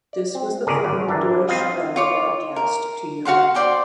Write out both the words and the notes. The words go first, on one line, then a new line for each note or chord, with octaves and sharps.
This was the final Deutsche Welle broadcast to Europe.
D5
C4
G1 C#2 C#3 G#4 A#4 D5
G#1
E3 D4 G4 A#4
C4 F4 B4 D#5 F5
F4 C#5 D6
A#4
F#4 F5 F#5 C6
C5 D5 G5 C6